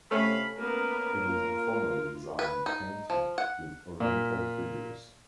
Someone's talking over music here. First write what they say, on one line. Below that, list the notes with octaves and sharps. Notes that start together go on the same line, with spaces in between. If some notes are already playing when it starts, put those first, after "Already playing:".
It is a formally designed painting with Oriental figures.
C3 A3 C#4 F5 B5
A#3 B3 A#4
A#3 F4
B4
D#4
F3
F#5
A#2